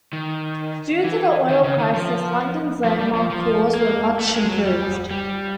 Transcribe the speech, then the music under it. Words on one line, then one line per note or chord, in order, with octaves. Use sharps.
Due to the oil crisis London's landmark halls were much improved.
D#3
E3
D#3
C#3
D#3
F3
F3
G3
F3
F3
A#3
A3
G#3
F#3
G3
G3